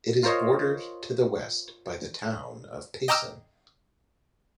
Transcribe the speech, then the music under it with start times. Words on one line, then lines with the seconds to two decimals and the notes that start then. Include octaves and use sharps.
It is bordered to the west by the town of Payson.
0.23 F4 A#4 C5 C#5 D#5
3.08 D#5 G5 A#5 D6 E6 F6